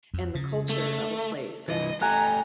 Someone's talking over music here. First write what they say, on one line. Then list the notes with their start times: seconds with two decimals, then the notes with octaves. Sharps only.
and the culture of a place." And,
0.14 F2
0.35 C#3
0.69 A3
1.68 C2 E3 D#5
2.01 A3 G4 G#5 A#5 F#6